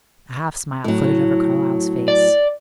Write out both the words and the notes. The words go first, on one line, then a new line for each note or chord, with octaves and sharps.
A half smile flitted over Carlyle's face.
A2 F#3
D5